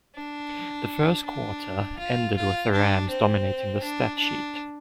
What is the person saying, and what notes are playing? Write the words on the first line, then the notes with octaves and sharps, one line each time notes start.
The first quarter ended with the Rams dominating the stat sheet.
D4
D4
F4
F4
D4
C4
D4
D4